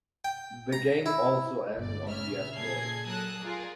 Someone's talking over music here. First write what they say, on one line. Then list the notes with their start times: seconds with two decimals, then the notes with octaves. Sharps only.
The game also ends on the asteroid.
0.25 G5
0.73 A#5
1.06 E4
1.75 G1 C#2 D5
2.09 A#2 C#3 E5 F6
2.55 A#2 G#4 A4 G#6 C7
3.08 F#3 A4 A#4 A5 D#6 F#6
3.41 F4 G#4 A#4 D5